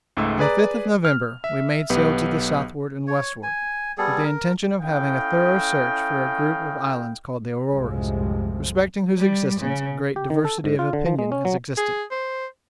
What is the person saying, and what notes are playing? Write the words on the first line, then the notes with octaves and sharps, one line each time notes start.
On the fifth of November we made sail to the southward and westward, with the intention of having a thorough search for a group of islands called the Auroras, respecting whose existence a great diversity of opinion has existed.
C#2 G#2 A3 E6
G#4 B4 D5 A#5
F6
E5
B1 B3 G4 B4
C#5
G#5
G3 B3 G#4 A4
A#4
C#4 E4 A4 D#5 F5 G5
C2 F#2 A2 C3 F3 G#3
G3
C#3
G4
D#3
A4
G#2
F4
D3
F3
G#3
C#4
F#3
G#4
C5